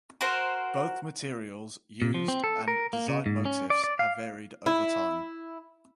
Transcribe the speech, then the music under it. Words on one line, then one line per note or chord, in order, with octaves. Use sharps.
Both materials used and design motifs have varied over time.
F#4 A#4 C5
A#2
F3
C4
A4
A#4
A#3
C#3
G#2
C#4
D5
D5
F5
E4